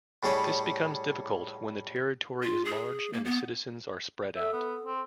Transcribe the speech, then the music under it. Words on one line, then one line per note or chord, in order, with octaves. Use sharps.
This becomes difficult when the territory is large and the citizens are spread out.
A2 G3 G#4 C#5 D#5 B5
F4
G#4
A#3
B3
A4 E5
B3
C4